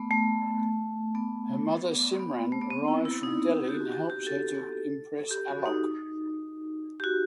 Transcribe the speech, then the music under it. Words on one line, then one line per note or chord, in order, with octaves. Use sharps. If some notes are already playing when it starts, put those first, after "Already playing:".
Her mother Simran arrives from Delhi and helps her to impress Alok.
Already playing: A3 B3
A3
B3
B3
A3
B3
C4
E4
E4
D#4
G4
F#4
G4
G4
A4
G4
F#4
D#4
G4
F#4